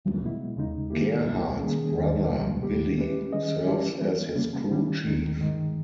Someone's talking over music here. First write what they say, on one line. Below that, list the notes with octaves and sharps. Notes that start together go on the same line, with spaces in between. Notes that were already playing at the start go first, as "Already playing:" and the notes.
Gerhart's brother Billy serves as his crew chief.
B2 G#3 B3 E4
D#2 C#3 G#3 D#4
D#3 A#3 E4 G4
C#2 B2 G3 B3 E4
D#3 G3 A#3 C#4 G#4
D#2 D#3 G#3
C#2 B2 G3
D#2 D#3 G3 B3 G4
G#3 C#4 E4 G4 B4
D#3 G3 C#4 G#4 D#5
E3 G3 C#4 E4 G4
E3 G3 B3
C#3 G3 A#3 C#4
D#3 G3 C#4 E4
D#2 D#3 G#3
G2 D#3 G#3